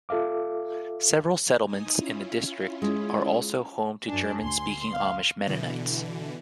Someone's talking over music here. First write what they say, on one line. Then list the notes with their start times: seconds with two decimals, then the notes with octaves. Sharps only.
Several settlements in the district are also home to German speaking Amish Mennonites.
0.09 F4 A4 E5 F5 D6
1.65 D#4 G#5 D#6
1.95 C#4 E4 F4
2.82 G#3
4.08 F#2 D4 G#5
4.40 D2 C6
4.93 F5
5.47 B2 D3 E3